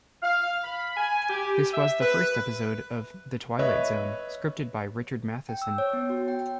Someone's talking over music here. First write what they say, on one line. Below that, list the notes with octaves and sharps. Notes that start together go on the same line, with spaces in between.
This was the first episode of "The Twilight Zone" scripted by Richard Matheson.
F5
B5
G#5
G4
E5
B4
B4 C#5 D#5 E5
G5
E6
C#5
B3
F#4
G5